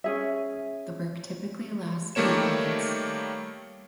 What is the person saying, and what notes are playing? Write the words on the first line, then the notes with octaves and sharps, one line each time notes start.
The work typically lasts eight minutes.
C#4 G#4 E5
D#3 G3 A3 A#3 C#5 E7